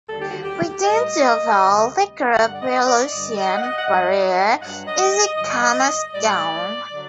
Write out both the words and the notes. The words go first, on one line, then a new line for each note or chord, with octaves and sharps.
Within Deauville The Groupe Lucien Barriere is a cornerstone.
D#2 D3 G3 A4
G4
F#4
G4
A2 G3 D#5
D2 C3 G3
G2 D3 G3 F#5
D5
D#5
D5
G2 D3 G3 D#5
D5
D#5
F#5
D#5
F#5
G2 F#3 D#5
G2 F#3 F#5
D#5
D#5
G2 D3 F#3 D#5
D5
D#5
A2 G3 D5
D3 F#3